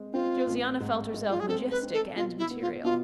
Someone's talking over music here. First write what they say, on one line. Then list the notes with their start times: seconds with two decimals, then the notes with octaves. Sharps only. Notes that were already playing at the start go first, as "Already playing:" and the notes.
Josiana felt herself majestic and material.
Already playing: G#3 C4
0.13 C4 F4
0.46 A1
0.80 G#2
1.14 G#3
1.30 F4
1.40 G#4
1.48 C4 A4
1.71 B4
1.83 C4
1.93 A4
2.16 B2 F4
2.39 E4
2.50 B3
2.61 F4
2.84 B2 F4